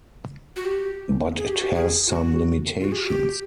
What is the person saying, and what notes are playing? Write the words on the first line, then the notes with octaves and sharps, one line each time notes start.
But it has some limitations.
F#4
G4
G#4
G4
F#4
G4
G#4
F4
F#4
F4
F#4
G#4
G4
F#4
G4